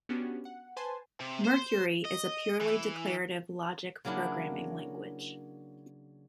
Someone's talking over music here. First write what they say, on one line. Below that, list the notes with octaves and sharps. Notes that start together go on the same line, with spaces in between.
Mercury is a purely declarative logic programming language.
B3 C#4 D4 F#4 G4
F#5
B4 C5 G#5 A5 C6
C3
C5
D#5
E3
C#3 F#3 A#3 D4 E4